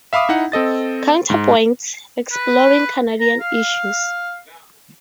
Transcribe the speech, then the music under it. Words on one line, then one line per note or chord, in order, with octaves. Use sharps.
Counter Points: Exploring Canadian Issues.
E5 F5 B5 D6 D#6
D#4 E4 F#5
C4 A4 D#5 A6
G#2
B4
A#5
F5